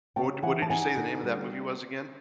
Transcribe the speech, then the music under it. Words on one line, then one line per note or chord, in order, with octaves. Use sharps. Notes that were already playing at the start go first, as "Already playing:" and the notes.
What d what did you say the name of that movie was, again?
C#3 G5 A5
E3 F#5 G#5
A5
D#4 F#5 G#5
D3
G3